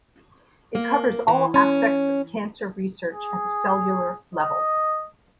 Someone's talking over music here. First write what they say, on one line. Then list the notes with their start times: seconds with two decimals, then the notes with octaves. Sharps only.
It covers all aspects of cancer research at the cellular-level.
0.75 A#3
1.28 E3
1.54 C#4
3.13 G#4
4.35 D#5